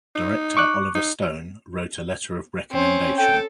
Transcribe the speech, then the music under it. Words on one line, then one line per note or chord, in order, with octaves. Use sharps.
Director Oliver Stone wrote a letter of recommendation.
D#4
C#6 D6 F#6
D#4
C4 C#4
A4 G5